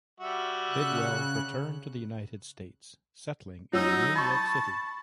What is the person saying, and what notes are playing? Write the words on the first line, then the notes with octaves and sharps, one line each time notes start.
Bidwell returned to the United States, settling in New York City.
G3 F#4 E5
C#3 F#6
F#3 C#4 D#4 E6
A5 B5 C#6